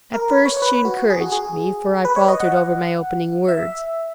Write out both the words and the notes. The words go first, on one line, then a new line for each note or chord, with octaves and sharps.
At first she encouraged me, for I faltered over my opening words.
A#4
B4
C#5
C#5
B4
F#4
G#4
F#4
G#4
B4
C#5
D#5
F#5
E5